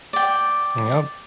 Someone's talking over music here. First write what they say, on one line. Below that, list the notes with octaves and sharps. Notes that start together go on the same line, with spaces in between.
And, yep.
D5 G5